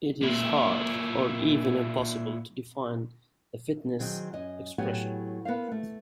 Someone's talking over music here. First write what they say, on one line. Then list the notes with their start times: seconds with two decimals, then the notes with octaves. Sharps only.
It is hard or even impossible to define the fitness expression.
0.22 A#2 E4
3.99 D#3 F#3 C4 G#4
4.33 F#2 D#5 G#5
4.78 A2 F#3 B3 G4 F#5 G#5
5.45 B3 A#4 C5 F5
5.72 A3